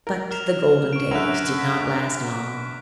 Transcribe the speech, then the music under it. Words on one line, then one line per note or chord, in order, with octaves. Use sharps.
But the golden days did not last long.
A#4
F6 E7 F7
C#6 D7
F#2 D3 E5 F#6 F7
B6